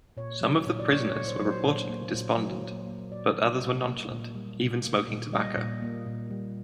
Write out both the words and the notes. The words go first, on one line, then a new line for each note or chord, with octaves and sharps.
Some of the prisoners were reportedly despondent, but others were nonchalant, even smoking tobacco.
A#2 C#5
F#3
A#2
D5
A#3 C#5
C#5
A#2
C5
F#3
C5
A#2
A#3
A#2
F#3
A#2
A#3
A#2 D5
G3
A#2
A#3
A#2
G3
A#2
A#3
A#2
G3 D#5
A#2
A#3
A#2
G3